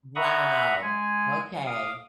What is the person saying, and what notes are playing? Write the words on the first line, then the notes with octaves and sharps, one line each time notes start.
Wow. Okay.
E5 F#5 A#5 B5 C#6 D#6
G#3 G#5
F5 D6 D#6